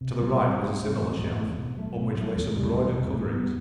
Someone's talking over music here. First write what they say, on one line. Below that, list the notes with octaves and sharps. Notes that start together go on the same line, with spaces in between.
To the right was a similar shelf, on which lay some broidered coverings.
C3
G3 C4
C3
G3 C4
A2
E3 A3 C4
A2
E3 A3 C4
B2
F#3 A3
B2
F#3 A3
E2
C3 G3
E2
C3 G3
A2
G3 B3